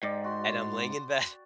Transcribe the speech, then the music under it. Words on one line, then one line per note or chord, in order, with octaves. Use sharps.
and I'm laying in bed
G#2 D5 G5
F#4 C6